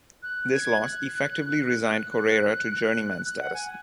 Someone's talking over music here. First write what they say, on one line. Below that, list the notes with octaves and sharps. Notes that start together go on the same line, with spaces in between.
This loss effectively resigned Correira to journeyman status.
F#6
G#6
F#6
F#6
F#6
F#6
F#5
G#5